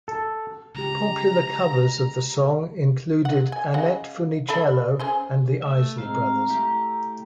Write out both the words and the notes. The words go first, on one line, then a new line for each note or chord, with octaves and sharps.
Popular covers of the song included Annette Funicello, and The Isley Brothers.
A4
C#3 G#3 G4 A#5
F#5
G#5
C#3 G#3 F#5
A4 E5 B5
C#4 G#4 C5
A3 E5
A2 G#3 C4 F5 A#5
A3 E4 G4